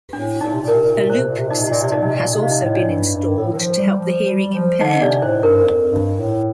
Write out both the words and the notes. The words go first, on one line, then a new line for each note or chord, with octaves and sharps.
A loop system has also been installed to help the hearing impaired.
A2 D4
A#2 D#4
C3
A#2
A#4
C3
A#2
C3
A#2 C5
C3
A#2
C3
A#2 D#4 D#5
C3
A#2
C3 D5
A#2 D#4 D#5
C3
A#2
C3 D#5
F5
D#4 D#5
A2 D#5
D4 D5
G2
G2
A2
D#3
F3
G3
F3
G3
F3
D3 D#4 D#5
C3 D4 D5
A2 C5
G2 A#4
F2
G2
A2